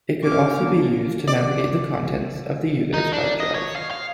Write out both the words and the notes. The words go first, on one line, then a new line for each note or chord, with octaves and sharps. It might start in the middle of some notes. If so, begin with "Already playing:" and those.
It could also be used to navigate the contents of the user's hard drive.
D3 C#4 G4 D6 F6
A#3 B3 D4
D5
D#4
D4
D#5
C#5
F5
F5